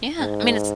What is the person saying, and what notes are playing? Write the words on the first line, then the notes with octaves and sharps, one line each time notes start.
Yeah, I mean, it's
G#2